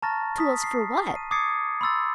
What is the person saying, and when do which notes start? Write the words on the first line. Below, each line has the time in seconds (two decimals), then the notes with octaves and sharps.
"Tools for what?"
0.02 A5 A#5 C#6 F6 A6 A#6
0.38 D#6 B6
0.64 C7
1.16 D#7
1.31 D6 D#6 G#6 A6 C7 C#7
1.81 B5 C6 E6 A6